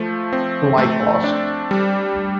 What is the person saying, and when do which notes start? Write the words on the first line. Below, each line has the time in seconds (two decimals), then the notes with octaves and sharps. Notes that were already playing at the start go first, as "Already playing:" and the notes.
To my cost.'
Already playing: F3 A3
0.33 C4
0.78 A3
1.24 D4
1.71 G3